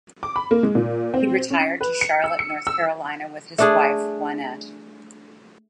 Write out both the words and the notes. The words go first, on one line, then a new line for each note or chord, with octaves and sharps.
He retired to Charlotte, North Carolina with his wife, Juanette.
D6
B5
A#3
G#3
A#2
C4
C#4
B4
C#7
E6
C#7
E6
A3 D4 G#4